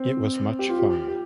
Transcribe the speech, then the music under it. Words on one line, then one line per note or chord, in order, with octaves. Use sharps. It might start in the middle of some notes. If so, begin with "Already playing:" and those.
It was much fun.
Already playing: C4
G4
F4
G4
G4